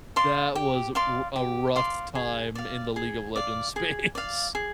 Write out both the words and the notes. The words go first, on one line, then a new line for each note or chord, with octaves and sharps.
That was a r a rough time in the League of Legends space.
D5 F5 C6
G4
D5 F5 C6
G4
D5 F5 C6
G#4
D5 F5
G#4
D5 F5
G#4
D5 F5
G#4